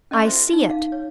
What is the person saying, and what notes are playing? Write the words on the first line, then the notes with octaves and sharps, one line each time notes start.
I see it!
C#4 D#5 A5 C6
F4 A4 C5 E5
E5
D#4
F5
C#5